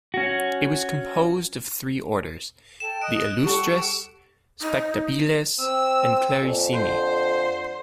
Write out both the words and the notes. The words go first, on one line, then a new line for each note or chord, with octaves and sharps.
It was composed of three orders, the "illustres", "spectabiles" and "clarissimi".
C#4 F#4
A4 G5 E7
D#5 D#6 F#6 D7
G3 G4 A4 F#5 C#6
D#4
C4 E6
F2 A#2
D3 C5